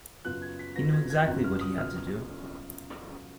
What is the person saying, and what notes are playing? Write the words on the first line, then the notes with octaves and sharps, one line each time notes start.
He knew exactly what he had to do.
F#2 C#3 F#3 B3 F4 F#6
G#6
B6
F#2 C#3 F#3 B3 F4 A#6
G#6
G#6
F#2 C#3 F#3 B3 F4 F#6
F6
D#6
F#2 C#3 F#3 B3 F4 F6